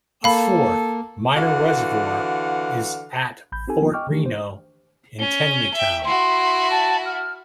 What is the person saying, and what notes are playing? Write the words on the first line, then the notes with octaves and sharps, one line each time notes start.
A fourth, minor reservoir is at Fort Reno in Tenleytown.
A#3 A4 F5 B5
D3 E3 F#4 F5 F#5
A1 B5 G6
C4 D#4 G4 A4 G#5
F3 A#3 B3 D4 D#4 F4
D#5 G5 C#6 D6 F6
D#3 E3 A3 D4 G4
C5
C#4 G7
E5 G5
E4 F#4 C6
A5
F6